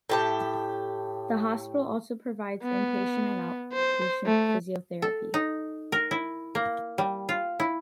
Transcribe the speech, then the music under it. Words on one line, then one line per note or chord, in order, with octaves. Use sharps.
The hospital also provides inpatient and outpatient physiotherapy.
A2 G4 A5
B3
C5
A3
A4
D#4
A#4
E4
A#3
G3
F4
E4